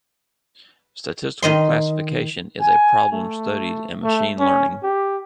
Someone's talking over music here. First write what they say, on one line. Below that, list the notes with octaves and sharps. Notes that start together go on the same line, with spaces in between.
Statistical classification is a problem studied in machine learning.
D#3 D#5 C6
G#5
A3
A3
C#4
G4